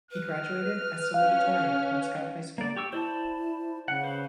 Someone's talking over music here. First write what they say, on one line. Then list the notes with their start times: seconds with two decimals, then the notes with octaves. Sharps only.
He graduated as salutatorian from Scott High School.
0.11 B4 F6
1.14 C#4 F5
2.58 A#3 D5
2.76 G4 C#6 E6
2.93 E4 C5 D5 A5
3.88 C#3 F#5
4.04 B4 C5 F5